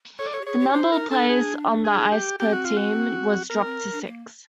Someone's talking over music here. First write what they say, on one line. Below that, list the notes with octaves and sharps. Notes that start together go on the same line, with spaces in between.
The number of players on the ice per team was dropped to six.
A4 C#5
D5
A4 C#5
G4
G#4 C#5
G4
C#5
D#4 C5
D#4 A#4
D4 A4
G#4
G#4
G4
C4 G4
F#4
F4
F#4
B3 A#4
C4
D4
A#3